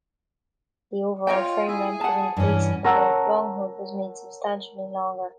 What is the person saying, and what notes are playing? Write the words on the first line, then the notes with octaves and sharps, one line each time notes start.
The overall frame length was increased, and the long hood was made substantially longer.
F4 C#5 D#5 G5
E4 G#4
F#5 A5
G2 E3 C#4
A#4 C#5 F#5 A5 A#5 E6